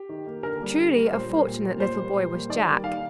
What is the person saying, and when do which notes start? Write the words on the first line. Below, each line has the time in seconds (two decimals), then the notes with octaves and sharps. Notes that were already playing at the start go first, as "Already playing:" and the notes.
Truly a fortunate little boy was Jack!
Already playing: G4
0.09 D#3
0.27 A#3
0.43 D3 A#4
0.61 G3 A#3
0.77 D3
0.95 G3 A#3
1.12 A#2 C5
1.29 G3 A#3
1.47 A#2
1.64 G3 A#3
1.80 A#2 C5
1.98 G3 A#3
2.15 A#2
2.32 G3 A#3
2.49 D#3 D5
2.67 G3 A#3
2.84 D#3 F5